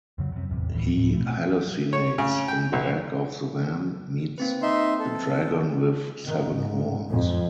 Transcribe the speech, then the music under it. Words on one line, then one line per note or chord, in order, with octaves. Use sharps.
He hallucinates in the back of the van, meets a dragon with "seven horns".
F2 C#3 F#3
F#2 C3
E1 A1 E2 C3
D2 A2 E3 G3
C#2 A2
B2 A3
C#5
C#3
G5
B1
A#3 C4 B4
D#4 E5 C6
A4
D#3
G#2
F2